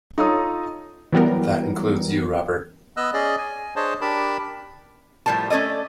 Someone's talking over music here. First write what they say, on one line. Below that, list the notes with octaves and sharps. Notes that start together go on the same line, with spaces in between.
That includes you, Robert.
D#4 F4 A4 C#5 A#5 D#6
E3 F#3 G3 B3 A#4
B3 D#5 E6 F#6
C#4 G#4 D5 D#5
G#5
D4 G#4 C5 C#5 D#5 A5
D4 G4 A#4 A5 B5
A2 F3 G3 A#4 A5
A3 C#4 A4 D5 D#5